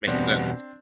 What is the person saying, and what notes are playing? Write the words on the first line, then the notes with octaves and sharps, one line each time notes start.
Makes sense.
E2 B2 G3 B3 C4 D4